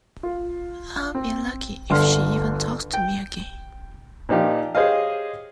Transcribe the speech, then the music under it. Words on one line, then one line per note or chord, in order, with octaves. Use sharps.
I'll be lucky if she even talks to me again.
F4
C4
G1 D3 C6 F6
G5
A#2 F3 D#4 G4 F5
G4 G#4 C5 C#5 D#5 F5